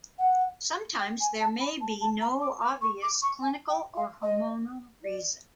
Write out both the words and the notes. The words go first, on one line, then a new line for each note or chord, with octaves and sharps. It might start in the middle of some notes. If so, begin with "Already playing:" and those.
Sometimes there may be no obvious clinical or hormonal reason.
F#5
G5
G#5
A5
B5
A5
A5
A#5
D6
D6
C#6
D6
C#6
G#5
G5
F5
D#5
D5